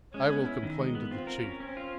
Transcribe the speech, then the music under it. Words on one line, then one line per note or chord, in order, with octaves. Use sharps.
I will complain to the Chief.
G#3 C#4
B3
E4
D#3
G#3
B3
C4 F4
A#4
C#4
C4 C#4
F4